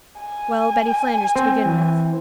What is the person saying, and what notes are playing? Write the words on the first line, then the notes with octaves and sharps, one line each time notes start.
Well, Betty Flanders, to begin with.
G#5
C4
E3